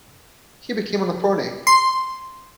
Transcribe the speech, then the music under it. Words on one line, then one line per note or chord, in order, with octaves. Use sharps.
He became an attorney.
C6